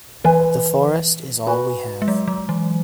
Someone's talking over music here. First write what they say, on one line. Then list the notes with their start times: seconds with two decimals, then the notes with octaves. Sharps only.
The forest is all we have.
0.24 E3 B4 E5 G#5
1.46 F#4 B4 G#5 B5
2.02 G#3
2.08 F#3
2.28 F#3
2.49 E3